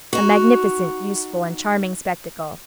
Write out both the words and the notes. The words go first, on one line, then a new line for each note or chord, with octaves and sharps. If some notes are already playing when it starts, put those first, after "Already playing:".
A magnificent, useful, and charming spectacle.
D#4 F#4